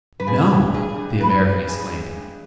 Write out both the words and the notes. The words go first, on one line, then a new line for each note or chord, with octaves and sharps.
"Known!" the American exclaimed.
B4
F3 G#4
G2
G2 G#4
G2
G2 B4
G2
G2 G#4
G#3
G2